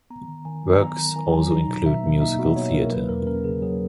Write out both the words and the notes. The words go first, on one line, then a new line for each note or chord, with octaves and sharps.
Works also include musical theatre.
B3 A#5
D#3
D#3 G#5
F#3
B3 A#5
D#3 A#5
D#3 G#5
F#3 G#5
D#4 A#5
B2
B2 E5
A#3
D#4 E5
B2
B2 C#5
A#3 A#4
F#3 B4
E2 A#4
C#4 A#4
C#3 G#4
F#3 G#4